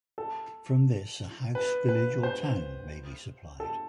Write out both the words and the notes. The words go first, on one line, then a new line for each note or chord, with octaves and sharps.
From this a house, village or town may be supplied.
A4
B4
B4
C5
A4